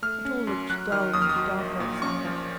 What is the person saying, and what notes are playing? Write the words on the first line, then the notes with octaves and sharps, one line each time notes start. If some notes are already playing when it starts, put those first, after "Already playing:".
It all looked dull and dark outside.
A3 F6
C#4
F#2
F#3 F#6
D#3 F6
D#2 D#6
F6
D#6
F#3
A#1
A#2
C#4 C#6
F3